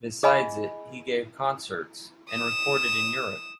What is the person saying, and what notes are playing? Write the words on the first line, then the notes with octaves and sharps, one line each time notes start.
Besides it, he gave concerts and recorded in Europe.
G#4 D#5 G#5 B5
D#6 E7